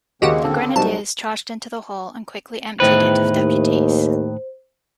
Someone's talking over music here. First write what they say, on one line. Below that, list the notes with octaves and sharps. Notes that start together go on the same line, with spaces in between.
The grenadiers charged into the hall and quickly emptied it of deputies.
D#2 C#3 G#3 A#3 C4 F#4 G4 F#5
D3 A4
C2 F#3 G3 D#4 A5
E2 A2 D#3 B4 C5
D#2